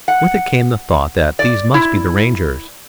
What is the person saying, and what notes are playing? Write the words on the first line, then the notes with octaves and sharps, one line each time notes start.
With it came the thought that these must be the Rangers.
F#5
D5
E4